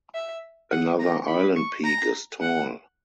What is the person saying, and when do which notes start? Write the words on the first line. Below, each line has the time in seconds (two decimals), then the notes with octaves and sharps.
Another island peak is tall.
0.15 E5
0.71 F#5
0.99 A#5
1.27 B5
1.56 C#6
1.84 A#5
2.41 F#5